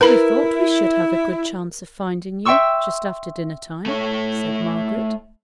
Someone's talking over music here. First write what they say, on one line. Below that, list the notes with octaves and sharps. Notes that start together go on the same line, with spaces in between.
'We thought we should have a good chance of finding you, just after dinner-time,' said Margaret.
E4 A#4 B4 B5
E5 G5 C6 C#6 E6
A3 C#5